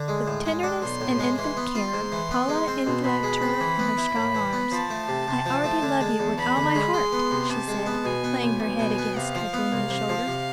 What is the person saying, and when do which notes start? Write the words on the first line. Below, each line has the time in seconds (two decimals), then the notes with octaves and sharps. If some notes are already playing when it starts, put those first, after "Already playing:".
With tenderness and infinite care Paula enveloped her in her strong arms. "I already love you with all my heart!" she said, laying her head against Catalina's shoulder.
Already playing: D3
0.08 G#3
0.27 A2
0.45 G#3
0.63 D4
0.82 B1 C6
1.01 A2
1.19 G#3
1.38 E3 C6
1.57 B3
1.75 F4
1.94 G#2
2.12 E3
2.31 B3
2.49 G#3
2.68 C4
2.87 B2
3.04 B2 B5
3.23 G#3
3.42 C4
3.60 E3
3.79 B3
3.98 E4
4.16 A2
4.35 E3
4.53 B3
4.72 F3 A5
4.90 A3
5.08 C3
5.27 C3
5.46 F3
5.64 A3
5.82 D3
6.01 G#3
6.20 E2
6.38 E2 B5
6.56 D3
6.75 G#3
6.94 G#3 C6
7.13 B3
7.31 C3
7.50 C3 A5
7.68 G#3
7.86 B3
8.05 B2 G#5
8.24 B3
8.43 B1
8.60 B1 G#5
8.79 B2
8.98 B3
9.17 C3 F5
9.35 F3
9.53 B3
9.72 C2
9.90 C3
10.09 F3
10.27 C3